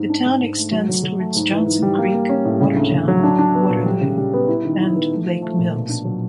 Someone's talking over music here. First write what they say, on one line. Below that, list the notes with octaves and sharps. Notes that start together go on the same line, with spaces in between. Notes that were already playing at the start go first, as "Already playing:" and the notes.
The town extends towards Johnson Creek, Watertown, Waterloo, and Lake Mills.
Already playing: G#2
D4
G#2
G#2
A3
F#3
F#3
F#3
A3
G#2
E3
G#2
G3
A#3
A#3
C#4
A2
C#3
D2
C#3
F#3
D4
D4
B3
A#2
G3
C#3
G3
B3
E4
D#3
E4
B3
A3
F3
A3
A#2
B2
D4
F#3